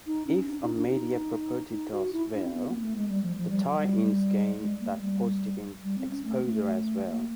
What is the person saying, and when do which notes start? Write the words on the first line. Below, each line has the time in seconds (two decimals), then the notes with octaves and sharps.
If a media property does well, the tie-ins gain that positive exposure as well.
0.07 D#4
0.27 C#4
0.48 D4
0.62 D#4
0.76 D4
0.89 D#4
1.72 D#4
1.92 F#4
2.13 E4
2.34 D4
2.43 C4
2.54 B3
2.68 A#3
2.81 A3
2.96 G#3
3.09 G3
3.23 F3
3.37 F3
3.50 G3
3.64 F#3
3.78 G3
4.61 G#3
4.80 A#3
4.91 A3
5.01 G3
5.84 G3
5.98 C4
6.11 C#4
6.25 A3
6.46 A3
7.07 A#3